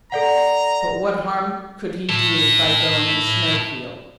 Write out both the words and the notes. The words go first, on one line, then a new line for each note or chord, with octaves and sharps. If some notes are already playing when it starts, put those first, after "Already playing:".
But what harm could he do by going to Snowfield?
A4 D5 F#5 A#5
E4 A4